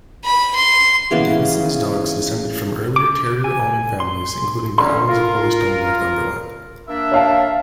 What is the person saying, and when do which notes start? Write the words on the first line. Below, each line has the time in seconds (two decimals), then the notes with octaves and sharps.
Davidson's dogs descended from earlier terrier owning families, including the Allans of Holystone, Northumberland.
0.24 B5
0.55 C6
1.11 C#3 E3 A#3 B3
2.96 D6
3.44 G#5
4.00 C6
4.78 D3 C#4 C6
5.07 F4 A#4
6.88 A#3 D4 E5
7.12 C#5 F5 A5